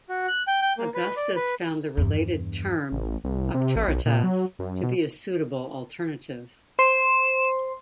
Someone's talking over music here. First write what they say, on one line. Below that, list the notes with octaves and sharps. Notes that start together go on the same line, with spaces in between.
Augustus found the related term "auctoritas" to be a suitable alternative.
F#4
F#6
G5
G5
A#3
B4
D5
B4
E2 G2
A1
C2
C3
A1
B1
A#2
F#3
F#2
B2
C5 C6 E7